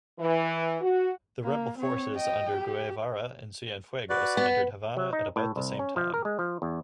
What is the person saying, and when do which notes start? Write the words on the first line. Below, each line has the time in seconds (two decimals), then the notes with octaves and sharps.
The rebel forces under Guevara and Cienfuegos entered Havana at about the same time.
0.19 E3
0.81 F#4
1.43 A#3
1.78 C4 C#5
2.15 D#5 G5
2.57 G4
4.09 F#4 B4 D5
4.37 B3
4.97 F#3
5.13 D#4
5.36 A2
5.56 C2
5.79 C#4
5.96 F3
6.14 A#4
6.25 G#3
6.39 F3
6.62 E2